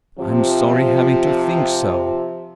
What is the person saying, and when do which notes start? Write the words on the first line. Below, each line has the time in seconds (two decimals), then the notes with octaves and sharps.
I'm sorry having to think so.
0.18 C3 F3